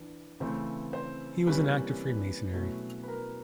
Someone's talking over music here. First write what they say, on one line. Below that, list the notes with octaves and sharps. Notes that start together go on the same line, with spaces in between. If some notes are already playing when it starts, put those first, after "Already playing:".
He was an active Freemasonry.
Already playing: E3 D4
C#3 E3 A3 C4 C5
C5
C3 E3 G3 A#3 C#4 B4
B2 F#3 A3 C#4 E4
B4
A#4